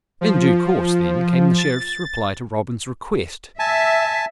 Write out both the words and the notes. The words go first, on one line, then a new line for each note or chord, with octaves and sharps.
In due course, then, came the Sheriff's reply to Robin's request.
F3
A6
E5 G#5 A5